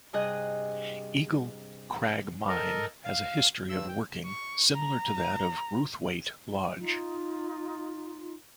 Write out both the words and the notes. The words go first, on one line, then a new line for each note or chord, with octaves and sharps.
Eagle Crag Mine has a history of working similar to that of Ruthwaite Lodge.
G2 C3 G#4 D#5 F#6 G6
A4 A#4 D#5
F5
G2 E6
G5
C#6
A#5
D#4 F4